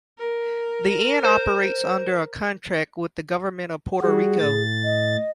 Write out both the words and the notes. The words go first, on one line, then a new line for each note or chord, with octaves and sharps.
The inn operates under a contract with the Government of Puerto Rico.
A#4
C5
G3 F#4 G#4
A2 A6
D#5